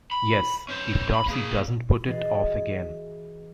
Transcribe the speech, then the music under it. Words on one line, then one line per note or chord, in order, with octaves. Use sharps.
Yes — if Darcy does not put it off again.
B5
C#4 C5
B5
A#3 G#4
E3 F#4 G#4 D#5 A6 C7